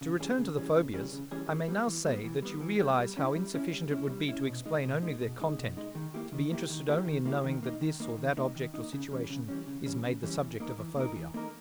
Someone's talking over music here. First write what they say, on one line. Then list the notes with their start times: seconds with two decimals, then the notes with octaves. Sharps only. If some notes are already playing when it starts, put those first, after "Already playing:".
To return to the phobias, I may now say that you realize how insufficient it would be to explain only their content, to be interested only in knowing that this or that object or situation is made the subject of a phobia.
0.01 C#3
0.19 E3 G3 C#4 G#4
0.38 C#3
0.57 E3 G3 C#4 G#4
0.75 C#3
0.94 E3 G3 C#4 G#4
1.12 C#3
1.31 E3 G3 C#4 G#4
1.49 E3
1.68 G3 B3
1.87 E3
2.05 G3 B3
2.24 E3
2.42 G3 B3
2.61 E3
2.79 G3 B3
2.98 G3
3.17 C#4 E4
3.35 G3
3.54 C#4 E4
3.73 G3
3.91 C#4 E4
4.10 G3
4.29 C#4 E4
4.47 B2
4.66 G#3 D#4
4.84 B2
5.02 G#3 D#4
5.21 B2
5.39 G#3 D#4
5.58 B2
5.77 G#3 D#4
5.95 D#3
6.14 A#3 E4 G4
6.32 D#3
6.51 A#3 E4 G4
6.70 D#3
6.88 A#3 E4 G4
7.07 D#3
7.25 A#3 E4 G4
7.44 D#3
7.63 A#3 D#4
7.81 D#3
8.00 A#3 D#4
8.18 D#3
8.37 A#3 D#4
8.56 D#3
8.74 A#3 D#4
8.93 C#3
9.12 E3 G3 C#4
9.30 C#3
9.48 E3 G3 C#4
9.67 C#3
9.86 E3 G3 C#4
10.04 C#3
10.23 E3 G3 C#4
10.41 E3
10.60 A#3 D#4 A#4
10.78 E3
10.96 A#3 D#4 A#4
11.16 E3
11.34 A#3 D#4 A#4